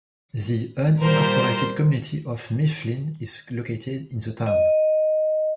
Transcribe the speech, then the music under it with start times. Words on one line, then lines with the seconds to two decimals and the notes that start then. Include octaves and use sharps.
The unincorporated community of Mifflin is located in the town.
1.01 A#2 G3 A#4 C5
4.46 D#5